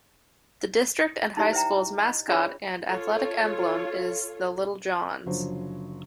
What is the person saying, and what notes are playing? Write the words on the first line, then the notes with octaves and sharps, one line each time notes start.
The district and high school's mascot and athletic emblem is the "Little Johns".
D#4 E4 G4 D5 E5
C5 E5 G5 A#5
D#5
D4 F4 G#4 C#5 D5 B5
F4 A4 C#5
F#1 D3 F3 F#3 C5